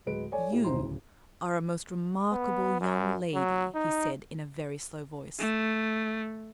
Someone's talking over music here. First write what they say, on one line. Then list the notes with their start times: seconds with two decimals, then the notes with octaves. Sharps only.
'You are a most remarkable young lady,' he said, in a very slow voice.
0.06 D1 F#3 G#3 B4 D7
0.32 A4 C#5 D5 G#5
0.51 A2 E4 G4
0.64 E1 C2 D#3 C5 A#5 C6
0.79 D1 C#3
2.32 B3
2.81 F#2
3.34 F#3
3.75 D#4
5.39 A3